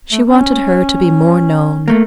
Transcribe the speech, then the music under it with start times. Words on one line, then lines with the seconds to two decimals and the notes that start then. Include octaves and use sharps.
She wanted her to be more known.
0.12 A3
0.27 C#4
1.88 A3 A#3